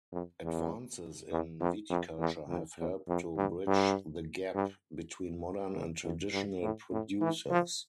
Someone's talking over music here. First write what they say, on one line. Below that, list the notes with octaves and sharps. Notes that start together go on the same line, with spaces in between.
Advances in viticulture have helped to bridge the gap between modern and traditional producers.
F2
E2
E2
F2
F2
E2
F2
E2
F2
G2
G2
G2
E2
F2
G2
A2
A2
E3
F3